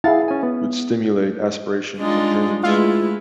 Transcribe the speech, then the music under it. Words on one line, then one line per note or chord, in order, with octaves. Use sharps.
would stimulate aspirations and dreams
E4 G#4 F5 F#5 A6
C#4 G#5
B3
G#3 D4 D#4 F4
G#3 A3 E4 F4 B4